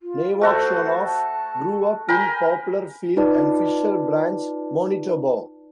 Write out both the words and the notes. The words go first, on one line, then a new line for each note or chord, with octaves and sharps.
Nevakshonoff grew up in Poplarfield and Fisher Branch, Manitoba.
F4
A3 F#4 A4 C5
A5
A#4 G5 G#5 B5
D#4 F4 B4 D5 A5